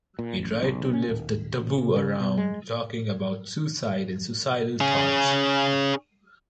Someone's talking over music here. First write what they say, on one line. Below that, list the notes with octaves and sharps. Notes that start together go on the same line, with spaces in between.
He tried to lift the taboo around talking about suicide and suicidal thoughts.
A#2
A1
B1
C#4
D#1
A1
C3
C#3
B2
G#3
C#4 G#4